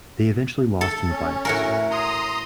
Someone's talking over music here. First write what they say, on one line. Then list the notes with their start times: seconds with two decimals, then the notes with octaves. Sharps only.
They eventually lost in the finals.
0.81 A4
1.10 C#4
1.45 A2 F#4 A#4
1.91 A#5 C6 D#6